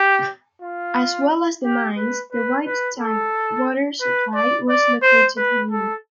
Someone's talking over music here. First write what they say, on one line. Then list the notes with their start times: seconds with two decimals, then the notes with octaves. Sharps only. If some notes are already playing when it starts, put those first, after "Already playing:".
As well as the mines, the White Tank water supply was located here.
Already playing: G4
0.62 F4
1.64 G4
1.97 B4
2.32 B4
2.66 B4
2.99 A4
4.01 B4
4.34 D5
4.69 D5
5.02 C5
5.37 B4
5.71 A4